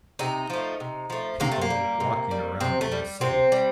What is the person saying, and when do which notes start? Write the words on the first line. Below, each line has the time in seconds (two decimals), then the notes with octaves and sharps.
People walking around in a city.
0.19 C3 D#4
0.50 F3 A3
0.80 C3
1.10 F3 A3
1.40 C3 A#3
1.52 A3
1.61 A#3
1.70 G3
2.00 C3
2.31 G3
2.60 C3 C4
2.81 A3
2.92 G3
3.21 C3 C4
3.52 G3